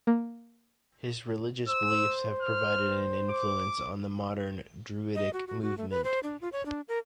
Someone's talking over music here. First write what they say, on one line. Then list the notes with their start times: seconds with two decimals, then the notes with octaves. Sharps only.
His religious beliefs have provided an influence on the modern druidic movement.
0.07 A#3
1.68 C5 E6
2.42 F6
3.30 D6
5.15 D#5
5.33 F#4
5.47 F#4
5.62 F#4
5.78 A3
5.91 B4
6.04 C5
6.23 D4
6.41 F4
6.53 C#5
6.66 D4
6.88 A#4